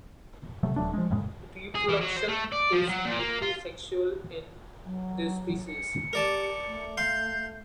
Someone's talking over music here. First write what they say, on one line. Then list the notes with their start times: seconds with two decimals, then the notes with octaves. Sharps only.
Reproduction is mainly sexual in this species.
0.63 C3 F#3 A3
0.76 D#1 F#3 A3 D4
0.93 F3 G#3
1.10 F2 A2 C#3 G#3
1.75 G#4
1.89 E3
2.01 F#3
2.16 C5
2.28 A3
2.52 D5
2.72 F3
2.89 F#3
3.05 A#2
3.19 A#3
3.42 F4
4.85 F#3
5.68 C#7
6.13 G4 A#4 D5 A5
6.67 A3
6.97 F5 C6 G6